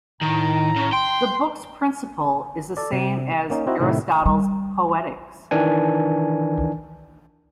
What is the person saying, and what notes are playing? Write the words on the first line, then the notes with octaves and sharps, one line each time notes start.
The book's principle is the same as Aristotle's "Poetics".
A2 D#3 A#5
C#3
G5 C6
A4 D5
C3
A#3 C#4 D#4
C4 D#4 E4 F#4 D#5
A2 C3 D#3 E4
G3
D#3 E3 D4 G#5